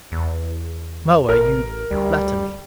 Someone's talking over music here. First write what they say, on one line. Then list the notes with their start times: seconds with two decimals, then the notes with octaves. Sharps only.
"Moa, you flatter me."
0.12 E2
1.29 A1 A#4
1.91 D2 G3